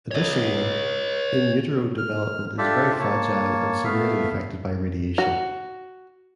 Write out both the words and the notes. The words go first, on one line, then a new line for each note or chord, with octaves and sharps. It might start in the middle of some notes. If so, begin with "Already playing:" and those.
Additionally, in-utero development is very fragile and severely effected by radiation.
C#5 D#5
F6
D4 F4 G4 A4 D5 E5
A#3 C#5 A5
A3 B3 E5 F5
F#4